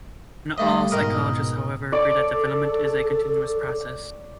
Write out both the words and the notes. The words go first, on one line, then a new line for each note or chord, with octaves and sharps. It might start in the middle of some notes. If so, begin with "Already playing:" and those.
Not all psychologists, however, agree that development is a continuous process.
G2 A3 D#5
G#2 B2 D#3 A#4 D#6
A4 C#5 D5 D6